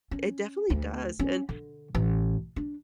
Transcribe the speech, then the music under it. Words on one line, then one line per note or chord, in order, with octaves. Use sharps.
It definitely does, and
C#4
D2
C#4
D3
A1
D4